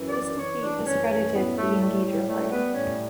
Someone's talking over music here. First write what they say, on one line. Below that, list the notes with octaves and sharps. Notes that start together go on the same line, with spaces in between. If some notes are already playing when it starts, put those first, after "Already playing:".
This defeat discredited the Engager party.
Already playing: F#2 E3
D5
E3 C#5
D4
F#2 C#4
C#4
A2 B3
A3
G3 A3
G3
G3 A3
B3
A2 C#4